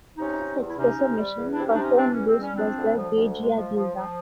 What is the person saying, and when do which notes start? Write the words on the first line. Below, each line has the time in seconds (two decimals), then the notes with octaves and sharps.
The first espresso machine for home use was the Gaggia Gilda.
0.18 C3 C#4 D#4
0.38 C3
0.58 E2
0.68 E4
0.77 C3 C#4 D#4
0.97 C3
1.18 G3
1.37 E2
1.52 D4 E4
1.57 C3
1.67 C#4 D#4
1.74 D4
1.77 C3 C#4 D#4
1.96 E3 C4 D4
2.11 C#4
2.17 E2
2.26 C4
2.36 G3 C#4
2.56 F3 C4 D4
2.76 D2
2.96 F3
3.15 D2
3.35 G#3
3.56 F3
3.75 F3
3.95 F3